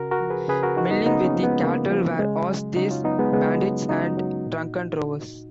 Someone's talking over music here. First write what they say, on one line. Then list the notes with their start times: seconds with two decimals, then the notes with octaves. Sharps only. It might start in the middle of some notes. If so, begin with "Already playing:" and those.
Milling with the cattle were horse thieves, bandits and drunken drovers.
Already playing: C#3 F#4 A#4
0.11 F#4 A#4
0.21 F3
0.30 G#4 B4
0.48 C#3 G#4 B4
0.63 F#4 A#4
0.77 F3 D#4 F#4
0.91 B3 D#4
1.06 C#3 B3 D#4
1.24 A#3 C#4
1.34 F3
1.43 G#3 B3
1.62 C#3 A#3
1.91 F3
2.19 C#3 G#3
2.47 F#3
2.76 C#3 D#4 F#4
2.91 C#4 F4
3.04 F#3 B3 D#4
3.19 G#3 B3
3.33 C#3 G#3 B3
3.62 F#3
3.89 C#3 D#4 F#4
4.17 F#3
4.46 A#2